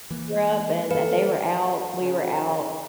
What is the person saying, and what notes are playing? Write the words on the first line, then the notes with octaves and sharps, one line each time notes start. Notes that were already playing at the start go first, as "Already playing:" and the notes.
grew up and they were out we were out
E3 A#3
A4 B4 F5
C#3